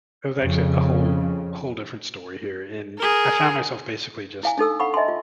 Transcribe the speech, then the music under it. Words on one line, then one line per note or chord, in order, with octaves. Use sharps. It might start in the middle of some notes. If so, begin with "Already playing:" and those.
it was actually a whole whole different story here, and I found myself basically just
F2 C#3
G#4 A#4
E4 F5 G#5
D4 D#4 A4 E6
F5 F#5 B5 C#6
D#5 E5 G#5 A5 C6
F4